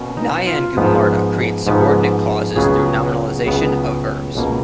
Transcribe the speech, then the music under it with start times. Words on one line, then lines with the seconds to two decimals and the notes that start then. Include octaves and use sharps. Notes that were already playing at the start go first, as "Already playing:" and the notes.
Nyangumarta creates subordinate clauses through nominalization of verbs.
Already playing: B2 A#3 C#4
0.17 D#4
0.47 F4
0.77 G#2 F3 B3
1.67 G#2 F3 B3
2.56 C#2 C#3 F#3 B3 G#4
3.46 C#2 C#3 F#3 B3
4.35 C#2 B2 A#3